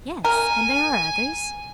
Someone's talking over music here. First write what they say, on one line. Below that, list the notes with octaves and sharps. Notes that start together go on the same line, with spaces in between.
"Yes, and there are others."
A#4 G#5